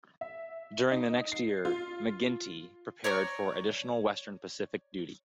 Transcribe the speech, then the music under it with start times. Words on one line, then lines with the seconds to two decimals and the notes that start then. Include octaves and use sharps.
During the next year, "McGinty" prepared for additional western Pacific duty.
0.21 E5
0.91 D#4
1.32 C7
1.65 F4
3.04 C#5 D5 A#5 C#6